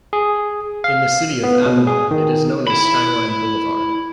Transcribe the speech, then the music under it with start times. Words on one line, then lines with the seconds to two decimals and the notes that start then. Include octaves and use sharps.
In the city of Avenal, it is known as Skyline Boulevard.
0.13 G#4
0.84 F5
1.43 B3
1.66 B2
1.87 G#4
2.11 D#3
2.68 E4 B5